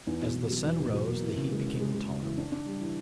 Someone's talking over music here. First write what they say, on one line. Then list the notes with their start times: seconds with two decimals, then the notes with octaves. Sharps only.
As the sun rose, the heat became intolerable.
0.07 E2
0.22 B2
0.35 E2
0.50 F#3
0.65 E2
0.80 B2
0.94 F#3
1.07 A#3
1.23 E3
1.36 C#3
1.52 G#3
1.65 C#3
1.80 G#3
1.94 G#3
2.09 C#3
2.22 E3
2.37 D4
2.52 D4
2.66 G3
2.80 E3